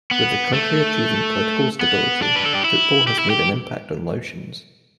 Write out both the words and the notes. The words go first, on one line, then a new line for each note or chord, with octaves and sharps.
With the country achieving political stability, football has made an impact on Laotians.
B3
A3
B3
D4
B4
A4
G4
E4
G4
E4
G4